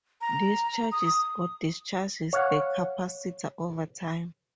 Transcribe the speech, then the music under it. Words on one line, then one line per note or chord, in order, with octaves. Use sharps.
This charges or discharges the capacitor over time.
A#5
D#6
C#5 F5 F#5